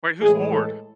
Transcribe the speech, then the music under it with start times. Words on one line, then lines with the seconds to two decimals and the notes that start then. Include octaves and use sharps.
Wait, who's Ward?
0.22 A2 E3 G#3 G#4
0.51 A4